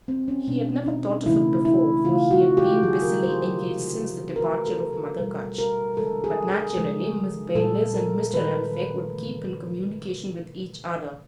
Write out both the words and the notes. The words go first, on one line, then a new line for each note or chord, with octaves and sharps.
He had never thought of it before, for he had been busily engaged since the departure of Mother Gutch; but, naturally, Miss Baylis and Mr. Elphick would keep in communication with each other.
C4
C#4
B2 G#3 D4
D#4
C#3 E3 A3 E4
E4
C#3 E3 A3 F4
F#4
G4
D#3 F#3 A#3 G#4
A#4
C5
C5
C3 F3 G#3
A#4
D3 F#3 A3 B4
A4
A4
B2 G3 A#3
A#4
D3 F3 G#3 A4
G#4
G#4
C#3 F3 G#3
A#2 G3 A#3 A4
A#4
D#3 G3 A#3 B4
C#3 E3 A3